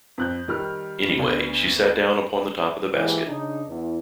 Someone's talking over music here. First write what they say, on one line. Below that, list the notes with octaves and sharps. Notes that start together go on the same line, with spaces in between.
Anyway, she sat down upon the top of the basket.
F2 F#6 G6
D#3 G3 F6
D2 B3 D4
G#2 E3 A#3 G4 G#4
C#3 D4 D#4
E2